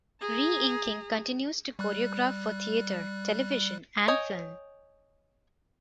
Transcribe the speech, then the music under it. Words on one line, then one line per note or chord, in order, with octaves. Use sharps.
Reinking continues to choreograph for theatre, television, and film.
G#4 A#5
G3 F#6
C#5 D#5 G5 G#5